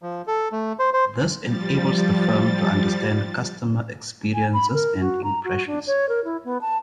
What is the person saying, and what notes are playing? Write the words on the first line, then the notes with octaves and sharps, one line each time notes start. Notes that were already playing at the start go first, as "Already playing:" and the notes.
This enables the firm to understand customer experiences and impressions.
F3
A4
A3
C5
C5
F3 G3 A6
G#5
B5
A#4
F#4
A#5
F#4
D4
C#5
A#4
E4
B3
A5